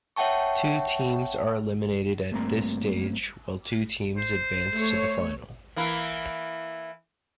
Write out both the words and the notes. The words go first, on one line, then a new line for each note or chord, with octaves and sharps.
Two teams are eliminated at this stage, while two teams advance to the final.
C#5 E5 F#5 G5 A5 C#6
G2 A3 A#3 C4 A#5
C5
A3 C#5
E3 A#3 E4